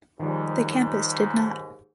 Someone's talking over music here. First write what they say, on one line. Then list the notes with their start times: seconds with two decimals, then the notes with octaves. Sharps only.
The campus did not.
0.20 D#2 G#2 D#3 F3 G3